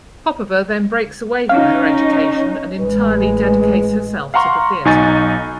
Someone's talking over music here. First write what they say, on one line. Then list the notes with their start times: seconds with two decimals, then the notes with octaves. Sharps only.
Popova then breaks away from her education and entirely dedicates herself to the theater.
1.49 C#4 D#4 F5
2.80 A1 G#3 B4
4.34 F5 F#5 A#5 C6 C#6
4.85 B1 D#4 G#5 C#6 A6